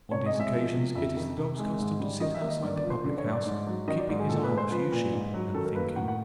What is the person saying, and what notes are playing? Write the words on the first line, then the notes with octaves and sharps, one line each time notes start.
On these occasions, it is the dog's custom to sit outside the public-house, keeping his eye on a few sheep, and thinking.
C3 C#5
D#5
G#3
E5
F3
C3
F2 E5
D#3
C3
G#3
G#2
G3
D#3 D#5
E5
A#3
D#5
G2 D5
D5
F3
C5
D3
C#5
G2
D5
G#2
F#3
D#3 D#5
D5
G#2 D5
G#4
A#2 A4
B4
G#3
C5
F3 B4
A#2
G#2
F#3
D#3 A4
A#4
A#3 B4
A2 F#5
F#5